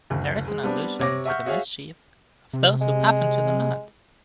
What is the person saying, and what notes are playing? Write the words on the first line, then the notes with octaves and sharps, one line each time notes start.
There is an allusion to the mischief of those who puff into the knots.
F#1 D2
G#3
G3 B3 C4 D4
C3 C#5 D6 A#6
E5 F#5 C#6 F6 G6
F#4 G#4 C#5 E5 F5
C3
G#3